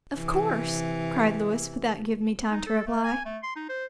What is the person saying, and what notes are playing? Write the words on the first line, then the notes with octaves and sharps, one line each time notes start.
"Of course," cried Louis, without giving me time to reply.
C3 E3
D#4
A4
A3
G#5
A3
C6
D#4
C5